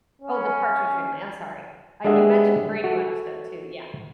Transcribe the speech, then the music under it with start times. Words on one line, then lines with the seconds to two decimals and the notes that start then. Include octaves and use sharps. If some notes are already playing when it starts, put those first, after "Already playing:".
Oh, The Partridge Family, I'm sorry. Oh, you mentioned The Brady Bunch, though, too, yeah,
0.22 C#4
2.05 G#3 D4 G4 G#4 E5 F#5
2.84 F#4 A4